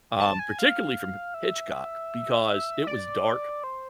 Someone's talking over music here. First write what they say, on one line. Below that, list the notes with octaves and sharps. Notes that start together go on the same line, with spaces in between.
um, particularly from M Hitchcock because it was dark,
A5
G#5
F5
E5
D5
C5